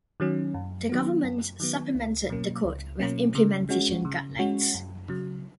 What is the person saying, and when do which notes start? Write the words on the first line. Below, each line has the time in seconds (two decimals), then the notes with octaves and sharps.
The government supplemented the Code with Implementation Guidelines.
0.20 D#3 F#3 C#4
0.54 F#2
0.89 D#3 F#3 B3
1.24 F#2
1.60 D#3 F#3 B3
1.95 C#2
2.29 B2 F#3 A#3 C#4
2.64 C#2
3.00 B2 F#3 A#3 C#4
3.35 C#3
3.69 G#3 C#4 F#4
4.05 C#3
4.39 G#3 C#4 F#4
4.75 F#2
5.09 C#3 F#3